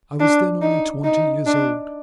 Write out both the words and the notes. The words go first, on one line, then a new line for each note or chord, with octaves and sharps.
I was then only twenty years old.
D4
D#4
D#4
D4